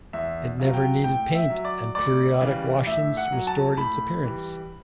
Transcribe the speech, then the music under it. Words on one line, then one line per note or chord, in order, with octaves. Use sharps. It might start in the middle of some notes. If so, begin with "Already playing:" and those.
It never needed paint, and periodic washings restored its appearance.
E2 E5
C#3 F#3
G5
A2 G5
E5
F#3
D5
D2 D5
C#3 E3 G3
A2 E5
F#5
F#3
A5
A2 B5
E3 G3